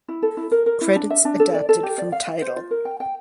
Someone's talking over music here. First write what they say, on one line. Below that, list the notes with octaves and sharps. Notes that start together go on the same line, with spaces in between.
Credits adapted from "Tidal".
E4
A4
E4
A#4
A#4
E4
D4
E5
D4
A4
D5
A4
G4
D5
F5
E5
C5
F4
A#4
G5
G5